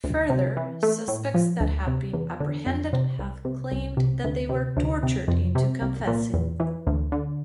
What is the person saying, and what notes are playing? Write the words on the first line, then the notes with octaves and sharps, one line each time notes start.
Further, suspects that have been apprehended have claimed that they were tortured into confessing.
D2
C3
E3
A3
A2
F3
D2
C3
E2
D3
F2
C3
C2
C3
C2
C3
D2
C3
D2
C3
F2
C3
C2
A#2
E2
E3
D2
D3